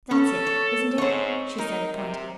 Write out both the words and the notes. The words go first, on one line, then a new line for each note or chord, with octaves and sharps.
"That's it, isn't it?" she said, pointing.
C#4 A4
C#5
G#2 C4 C#5
D#4 A#4
C3